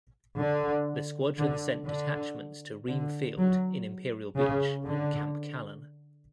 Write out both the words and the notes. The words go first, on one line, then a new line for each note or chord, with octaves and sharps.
The squadron sent detachments to Ream Field in Imperial Beach and Camp Callan.
D3
D3
D3
D3
F#3
C#3
D3